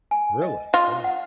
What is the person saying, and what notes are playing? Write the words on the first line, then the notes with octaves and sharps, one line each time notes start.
Really, wow.
G#5
D#5
F4 D#5
F#5